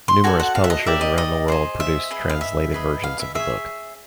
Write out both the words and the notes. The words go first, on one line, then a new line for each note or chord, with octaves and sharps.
Numerous publishers around the world produced translated versions of the book.
C6
F#4 A4 D5 G#5
F#5
F5
E5
D#5
G4 A#4 D5 E5
D#5
D#5
G#4 C5 D#5
E5
G#4 B4 D#5
F5
E5
G#4 B4 D#5
F5
E5
G#4 C#5 E5